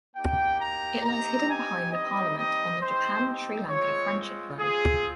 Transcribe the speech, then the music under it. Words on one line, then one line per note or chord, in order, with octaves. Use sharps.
It lies hidden behind the Parliament on the Japan Sri Lanka friendship road.
A#3 D#4 G4 G5
A#5
C4 D#4 G4 A#5
G#5
G3 C4 D#4 G4 D#5
D#5
C4 D#4 G4 C5
G#3 C4 F4 C#5
C4 F4 G#4